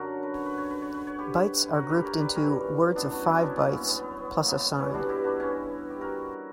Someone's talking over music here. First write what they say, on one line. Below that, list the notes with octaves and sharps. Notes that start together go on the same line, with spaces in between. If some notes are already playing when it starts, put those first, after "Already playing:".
Bytes are grouped into words of five bytes plus a sign.
Already playing: F#2 D3 F#3 F#4 A#4
B4
C#5
B4
C#5
B4
C#5
B4
C#5
G4 B4
B4
F#4 A#4
G4 B4
A#4 C#5
B4 D5
F#2 E3 G3 A#4 C#5
B3 D4
D4 F#4
C#4 E4
B3 D4
A#3 C#4
B3
B3
B3
B3
A#3
B3
G2 E3 G3 C#4 E4
D4 F#4
E4 G4
D4 F#4
C#4 E4
G4
F#4 A#4